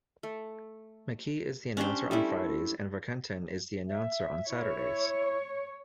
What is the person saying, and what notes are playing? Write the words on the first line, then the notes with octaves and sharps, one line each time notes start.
McKee is the announcer on Fridays and Warkentin is the announcer on Saturdays.
A3
C#4 D4 G4 C5
G3 A3 E4
E5
E4 C#5